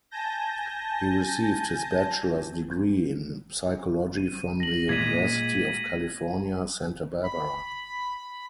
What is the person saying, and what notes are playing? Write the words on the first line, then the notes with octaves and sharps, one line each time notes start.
He received his bachelor's degree in psychology from the University of California, Santa Barbara.
G#5 A5 G6 A#6
D#7
A#6 F#7
A#2 G#3 G#6 B6 D#7
B5